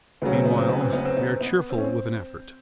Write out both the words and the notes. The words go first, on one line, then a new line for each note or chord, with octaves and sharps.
Meanwhile we are cheerful with an effort.
D2 C#3 F#3 B3
C4
B3
C4
B3
C4
B3
C4
B3
C4
B3
C4
C#4
C4